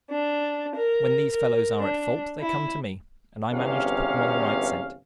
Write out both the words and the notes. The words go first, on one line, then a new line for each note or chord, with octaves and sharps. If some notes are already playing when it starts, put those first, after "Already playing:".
When these fellows are at fault they come to me, and I manage to put them on the right scent.
D4
A#4
A#4
D4
E4
G1 E2 C3 C#4 F5